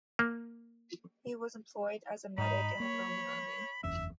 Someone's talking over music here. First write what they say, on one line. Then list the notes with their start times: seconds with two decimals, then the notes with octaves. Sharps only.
He was employed as a medic in the Roman army.
0.19 A#3
2.38 G#2 D#4 B5
2.80 A#3 C#5
3.84 F#1 E2 C#4 E5